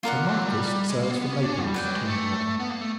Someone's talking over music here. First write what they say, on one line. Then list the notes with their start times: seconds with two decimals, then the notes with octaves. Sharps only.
The Marquis sails for Naples to-morrow morning.
0.03 A#3 F4 A#4 D5 F#5
0.14 B3
0.25 F3
0.30 G3
0.36 F#3
0.47 G3
0.88 G#3
1.00 A#3
1.11 B3
1.21 B3
1.32 C#4
1.43 D4
1.53 C#4
1.63 G3
1.74 F#3 B4 D5 G5
1.85 F#3
1.96 G#3
2.06 A3
2.60 B3
2.70 A#3
2.81 A3